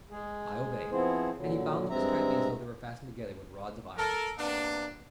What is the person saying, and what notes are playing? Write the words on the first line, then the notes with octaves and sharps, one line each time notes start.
I obeyed, and he bound them as tightly as though they were fastened together with rods of iron.
G#3 G#4
F3 B3 C4 E4 G#4 C5
A#2 D3 F#3
G2 G#3 C4 E5 A#5
A4 A#4
C3 A#3 B3 D4